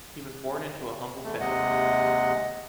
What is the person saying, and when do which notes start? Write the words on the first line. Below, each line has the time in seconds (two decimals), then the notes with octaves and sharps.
He was born into a humble family.
1.24 E2 A3
1.40 D#2 C3 G#3 D#5 F#5